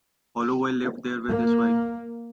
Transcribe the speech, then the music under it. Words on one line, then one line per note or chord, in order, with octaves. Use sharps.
Holloway lived there with his wife.
A#3